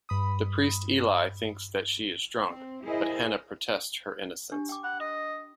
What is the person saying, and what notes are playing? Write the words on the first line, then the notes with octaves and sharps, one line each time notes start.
The priest Eli thinks that she is drunk, but Hannah protests her innocence.
G2 B5 D#6
C4
E4 G#4 A#4 C5 D#5
D4 G4
G5 D6
F#5 B5
D#5